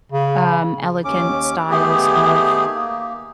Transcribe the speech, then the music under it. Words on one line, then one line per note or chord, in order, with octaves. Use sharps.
um, elegant styles of
C#3
D#2 C#4 D6
D#3 A3 B3 G4 G#4
A#3